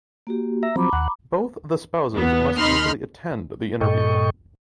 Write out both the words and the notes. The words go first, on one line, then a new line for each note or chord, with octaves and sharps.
Both the spouses must usually attend the interview.
A#3 F#4 G4
E5 A#5
F3 F#3 C4 A#5 B5 D6
D#2 F#5
E2 B3
D#2 D#4 B5 C6 F6
G2 A#2 A4 D#5 G5 C#6